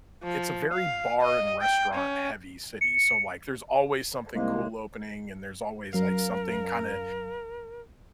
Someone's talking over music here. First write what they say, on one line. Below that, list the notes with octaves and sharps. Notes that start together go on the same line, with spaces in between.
it's a very bar and restaurant heavy city, so, like, there's always something cool opening, and there's always, like, something kinda,
F3
F5
D#5
G5
C#4
C#7
C2 D#3 G#3 A#3
F#2 A#4 F5